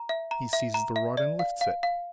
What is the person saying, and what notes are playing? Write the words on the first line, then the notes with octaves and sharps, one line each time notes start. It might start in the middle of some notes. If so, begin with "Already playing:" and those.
He seizes the rod and lifts it.
Already playing: A#5
E5
A#5
E5
A#5
E5
D5
F5
F5
F5